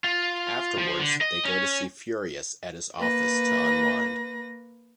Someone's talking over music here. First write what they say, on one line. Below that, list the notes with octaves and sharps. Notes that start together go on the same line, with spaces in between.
Afterwards, they go to see Furious at his office to unwind.
F4
F3
D3
D#5
C#4
A#3 B4 A#6